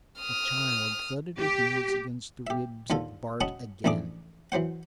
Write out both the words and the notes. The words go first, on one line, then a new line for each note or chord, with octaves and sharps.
The child thudded her heels against the ribs of Bart again.
D#6 F6
G4
G4 E5
D#2 D3 F4 A4
C#4 F#4 D#5 F#5 A5 B5
A1 F2 A3 D4 G#4 D6
E3 F#3 C5 F#5